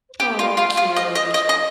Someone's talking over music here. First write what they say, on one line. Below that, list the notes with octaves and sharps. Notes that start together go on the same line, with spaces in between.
Oh, cute,
G4
F4
F4
F4
D#5
D#5
D#5
D#5